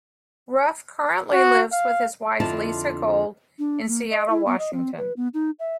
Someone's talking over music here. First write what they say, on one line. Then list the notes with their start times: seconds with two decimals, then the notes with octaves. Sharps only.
Ruff currently lives with his wife, Lisa Gold, in Seattle, Washington.
1.33 F#4
1.72 F5
2.40 F2 D3 E4 F4 D#5 A5
3.59 D4
3.88 A#3
4.10 D#5
4.30 E4
4.46 B3
4.59 D#5
4.73 C4
4.98 B4
5.17 B3
5.34 D#4
5.59 E5